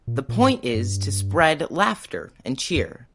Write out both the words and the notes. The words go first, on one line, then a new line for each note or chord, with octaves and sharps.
The point is to spread laughter and cheer.
A#2
A#2
G#2
G2
F2